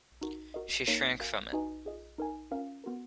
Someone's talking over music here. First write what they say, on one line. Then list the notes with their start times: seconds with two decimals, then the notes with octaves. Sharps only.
She shrank from it.
0.22 D#4 F#4 A#4
0.54 F#4 A#4 D#5
0.87 A#3 D#4 A#4 C#5
1.20 F#4 A#4 F5 G#5
1.53 D#4 F#4 B4 D#5 G#5
1.85 F4 G#4 D#5
2.18 D#4 A#4 D#5 G#5
2.51 C#4 F4 A#4 F5
2.84 B3 F#4 A#4